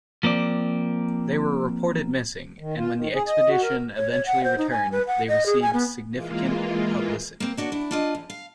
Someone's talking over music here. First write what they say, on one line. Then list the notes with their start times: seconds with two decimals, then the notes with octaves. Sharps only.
They were reported missing and when the expedition eventually returned they received significant publicity.
0.23 F3 A#3 C4 D5
2.59 D#3
2.77 F4
2.97 D#3
3.14 G#4
3.27 D#5
3.49 F#4
3.62 A#4
3.97 C#5
4.12 C#5
4.26 F#5
4.44 C5
4.58 D#4
4.71 G#5
4.92 B4
5.07 F#5
5.28 D#5
5.46 G#4
5.62 G#5
5.73 B3
6.10 E3 G#3 A#3 F4
7.40 A#3 C4
7.57 A#3 D4 F#4 C#5
7.72 D4 E4
7.91 D4 F4 D#5
8.15 E2
8.30 F5